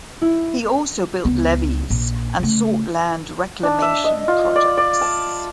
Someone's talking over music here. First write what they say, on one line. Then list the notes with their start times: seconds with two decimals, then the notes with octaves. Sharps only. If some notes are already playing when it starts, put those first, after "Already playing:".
He also built levees and sought land reclamation projects.
0.22 E4
1.25 C#2 B3
1.90 A#1
2.39 C#3 A3
3.63 D4
3.82 E5
4.04 D#5
4.28 F4
4.56 D5
4.77 D5
5.01 A5